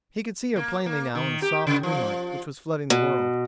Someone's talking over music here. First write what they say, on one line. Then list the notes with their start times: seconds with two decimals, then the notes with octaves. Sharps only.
He could see her plainly now in the soft moonlight which was flooding the world.
0.56 A#3
0.86 A#3
1.15 D#3
1.42 G4
1.67 C#3
1.83 F3
2.90 B2